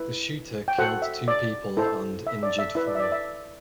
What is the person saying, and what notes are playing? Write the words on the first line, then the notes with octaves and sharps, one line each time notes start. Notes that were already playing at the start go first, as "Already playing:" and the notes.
The shooter killed two people and injured four.
Already playing: E4 B4
G5
F#4 A4 C5 F#5
E5
D5
E4 A4 C5
E5
D5
E5
E4 B4 E5
D5
E5
D5
E5